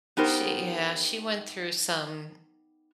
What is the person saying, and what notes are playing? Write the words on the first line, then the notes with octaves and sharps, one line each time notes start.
she, yeah, she went through some,
B3 D#4 G4 A#4 C5